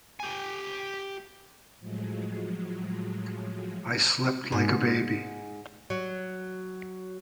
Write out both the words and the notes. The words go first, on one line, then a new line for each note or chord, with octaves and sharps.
I slept like a baby.
G4 G#5
A2 F3 F#3 G#3
G#2
F#3